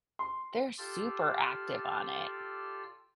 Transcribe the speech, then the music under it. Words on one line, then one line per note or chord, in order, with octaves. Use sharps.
they're super active on it
C6
F4 G4 A4 D5 E6 F6